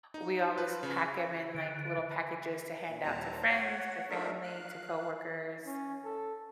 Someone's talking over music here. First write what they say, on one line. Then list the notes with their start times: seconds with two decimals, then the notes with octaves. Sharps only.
we always pack 'em in, like, little packages to hand out to friends, to family, to coworkers,
0.14 D#4
0.58 B4
0.83 C#3
1.55 D3
2.86 A#2
3.03 D#2 A#2 G3 C4 A5 A#5
3.49 C#5 F#5
4.10 G#3 A3 D4 D#4 A#4 E5
4.43 F5 F#6
5.66 C#4
6.04 A4